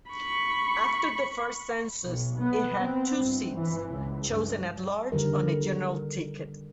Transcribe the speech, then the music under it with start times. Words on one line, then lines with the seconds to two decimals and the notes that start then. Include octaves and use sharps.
After the first census, it had two seats, chosen at-large on a general ticket.
0.11 B5 C#6
2.03 B1
2.39 B3
2.81 C4
3.18 G1
3.55 E3
3.89 C#2
4.29 G2
5.12 D3 D#3 G3 A#4